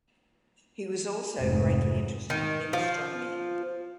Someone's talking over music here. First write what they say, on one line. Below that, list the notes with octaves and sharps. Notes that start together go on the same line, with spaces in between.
He was also greatly interested in astronomy.
F1 G#2
D#3
F3